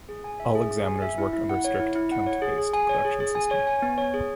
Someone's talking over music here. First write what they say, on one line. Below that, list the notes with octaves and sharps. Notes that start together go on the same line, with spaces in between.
All examiners work under a strict, "count"-based production system.
G#4
G#5
E5
G#4
G#4
G#5
E5
E4
E4
F#5
C#5
E4
E4
F#5
C#5
G#4
G#4
G#5
C#5
G#4
G#4
G#5
C#5
G#5
B3
C#5
G#4